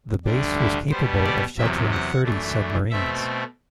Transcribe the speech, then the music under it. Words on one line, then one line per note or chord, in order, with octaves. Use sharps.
The base was capable of sheltering thirty submarines.
D2 D3 G3 D4
E4
B2 G3 B3 C5
D5
E2 C3 F#3 E5
F#5
F#2 E3 A3 D4
B2 A3 C4 E5